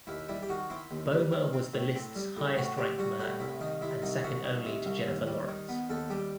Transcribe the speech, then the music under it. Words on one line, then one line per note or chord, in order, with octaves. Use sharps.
Bomer was the list's highest ranked man and second only to Jennifer Lawrence.
D#2 E4
G3 E4
G4
D#3 F#4
C4 E4
D#2
G3
D#3
C4
A2
C4
G3
A2
A2 F#4
C4 G4
G3 F#4
A2 F#4
C2 E4
D#3 D#4
C3 E4
C2 D#4
C2 F#4
D#3
C3
C2
D#2
G3
D#3
B3
D#2 A4
G3 G4